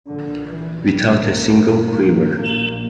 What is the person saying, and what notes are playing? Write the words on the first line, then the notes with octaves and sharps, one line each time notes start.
Without a single quiver.
A#1 A#2 D3
E3
C#2 C#3 G3
A#3
G1 G2
A#1 A#2 A#3